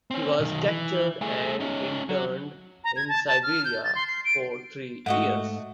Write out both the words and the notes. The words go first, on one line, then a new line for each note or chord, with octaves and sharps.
He was captured and interned in Siberia for three years.
C4 C#4
B1 D#3
E3
A3 G#4
C#4 D#4
F#3
A#5
G#6
A5
A5
F6
G6
A6
C6
C7
D7
G#2 A3 F#4 D#5 F#5